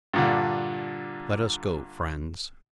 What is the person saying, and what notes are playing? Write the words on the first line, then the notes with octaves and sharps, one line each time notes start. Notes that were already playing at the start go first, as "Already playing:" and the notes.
"Let us go, friends."
G2 A#2 D3